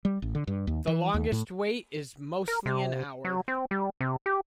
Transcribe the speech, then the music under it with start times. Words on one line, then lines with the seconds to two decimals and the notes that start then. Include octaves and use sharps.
The longest wait is mostly an hour.
0.05 G3
0.22 A1
0.35 D3
0.47 G2
0.67 D#2
0.87 E3
1.14 D#2
1.32 A2
2.48 A#4
2.66 C3
3.25 F#3
3.48 C4
3.71 G3
4.01 C3
4.26 G4